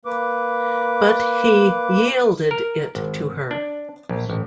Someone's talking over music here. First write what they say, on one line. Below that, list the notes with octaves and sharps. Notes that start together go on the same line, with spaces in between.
But he yielded it to her.
A#3 B4 D6
A#4
G#1
D4
A#1
A1